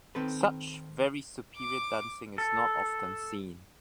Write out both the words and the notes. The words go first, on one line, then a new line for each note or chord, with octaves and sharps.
Such very superior dancing is not often seen.
D#3 C4 A4 B4
D6
A4